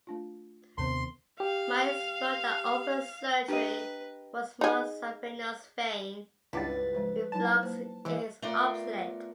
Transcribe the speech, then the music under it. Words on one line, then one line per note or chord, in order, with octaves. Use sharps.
Myers wrote that open surgery for small saphenous vein reflux is obsolete.
A3 D4 F4
D#2 C3 D#3 B3 D4 C5 C6
G4 F5
D4 G4 A#4 B4 D#5
D#4 G#4
C#2 G2 E4 B4 F#5 D6 A6
F3 G#3 C5
F#3 D#4 E4 A5
A#3 B4 C5
E3 G#3 A3
A3 B3 F4 A#4 D5